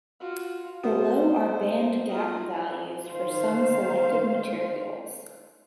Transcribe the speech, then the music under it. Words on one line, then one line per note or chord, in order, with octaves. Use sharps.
Below are band gap values for some selected materials.
F4 F#4
B2 B3 C5
F4 D#5
D#3 C5 F5